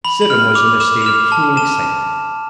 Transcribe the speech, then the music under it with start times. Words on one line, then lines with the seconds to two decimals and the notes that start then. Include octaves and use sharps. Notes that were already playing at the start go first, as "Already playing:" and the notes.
Sidham was in a state of keen excitement.
0.04 B5 F#7
0.22 F#7
0.30 F6
0.38 F#7
0.55 D6 F7
0.80 D6 E7
1.02 F7
1.06 F6 E7
1.32 A5
1.57 A5 E7